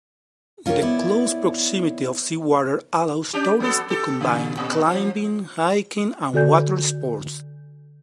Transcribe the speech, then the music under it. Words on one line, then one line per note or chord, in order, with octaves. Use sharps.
The close proximity of seawater allows tourists to combine climbing, hiking and water sports.
C#4 F4 G4 G#4 A#4 C#5
B3 E4 C#5 D5
C#4 D4 G4
F#3 B3 A4
G4 A4
C#3
A#2
F3
D3 F#4 A4 D5 G#5 G6